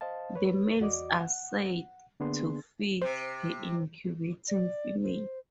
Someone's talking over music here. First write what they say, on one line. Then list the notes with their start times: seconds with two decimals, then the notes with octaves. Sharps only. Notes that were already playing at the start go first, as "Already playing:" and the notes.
The males are said to feed the incubating female.
0.01 C5 D#5 F5 A5
0.35 B4 C#5
0.80 E2 F#4 D5 D#5 D6
1.20 F#5
2.20 D3 A#3 B3 D4 G#4 C6
3.02 C3 C5
4.48 D5
5.02 C5